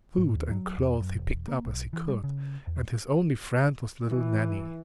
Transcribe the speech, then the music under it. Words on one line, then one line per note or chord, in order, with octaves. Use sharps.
Food and clothes he picked up as he could; and his only friend was little Nanny.
G#2
D#2
F#3
E2
F#2
E1
A#3
B1
E3
G3
C#3
E2
E3